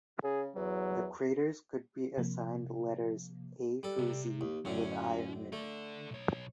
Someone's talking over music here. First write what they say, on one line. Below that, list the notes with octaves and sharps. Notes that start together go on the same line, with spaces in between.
The craters could be assigned letters A through Z, with I omitted.
C#3 G#4
E2 F#3
C3 F3 A#3
G3 A4
C3
D#2
F#2 A2 D3 C#4
A3 A4 D5
B1 C#5